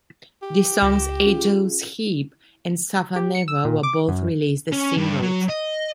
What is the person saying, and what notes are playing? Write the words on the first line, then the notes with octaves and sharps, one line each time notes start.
The songs "Angel's Heap" and "Suffer Never" were both released as singles.
G4
C#2 A#6 E7
C#4 F4 G#4
G4
C#7
E6
A#2
D6
F#2
C#4
G2
F#3
D#5